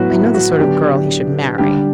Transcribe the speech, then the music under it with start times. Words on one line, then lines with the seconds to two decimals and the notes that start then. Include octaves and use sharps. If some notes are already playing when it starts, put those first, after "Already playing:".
I know the sort of girl he should marry.
Already playing: A2 F#3 B3 F#4 B4
0.10 E4
0.34 F#4
0.59 D3 F#3 B3 D4 G4
1.58 D3 G3 D4 G4